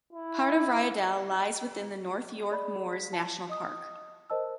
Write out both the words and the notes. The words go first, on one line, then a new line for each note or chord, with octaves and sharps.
Part of Ryedale lies within the North York Moors National Park.
E4
G#4 D5 B5
B6
A5
D#5 D#6
A#4 C5 D#5 A5 E6